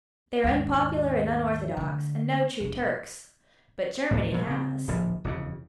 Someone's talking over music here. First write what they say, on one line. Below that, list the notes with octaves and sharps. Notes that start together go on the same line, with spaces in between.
They are unpopular and unorthodox, and no true Turks. But Germany has.
D#2 G#2
D3 A3
E1
D2 A2
A#2 F3
C#3 C4
D1 A#1 F3
E1 F2 C#3